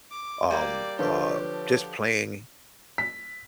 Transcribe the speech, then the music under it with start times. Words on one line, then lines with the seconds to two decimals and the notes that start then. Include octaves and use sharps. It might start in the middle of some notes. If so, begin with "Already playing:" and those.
um, uh, just playing
0.11 D6
0.50 G3 A#3 D5
0.99 D3 F3 D4 G4 B4 C#5
2.98 B6